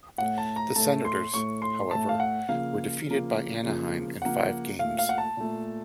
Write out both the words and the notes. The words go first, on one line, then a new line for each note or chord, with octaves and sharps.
The Senators, however, were defeated by Anaheim in five games.
A2 A3 F#5
A5
A#5
A2 A3 A5
C6
A2 A3 C#6
C6
A2 A3 A5
F5
F#5
C#3 F3 A#3 F5
C#3 F3 A#3
C#3 F3 A#3
C#3 F3 A#3 F#5
A#2 A3 F5
F5
F#5
A5
A#2 A3